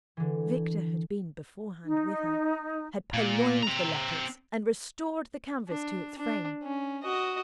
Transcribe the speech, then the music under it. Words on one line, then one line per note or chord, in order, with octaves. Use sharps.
Victor had been beforehand with her, had purloined the letters and restored the canvas to its frame.
D3 E3
D#4
A#2
C4 A#5
D4
D4
C#4
F#4 D#5